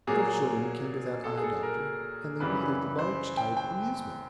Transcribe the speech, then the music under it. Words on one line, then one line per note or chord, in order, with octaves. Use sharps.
Little children came to that eye-doctor, and they needed large-type amusement.
A#2 F#3 A#3 G#4
A4
G#4
A4
A#4
F#2 C#3 E3 G3 B4
C5
G5
G5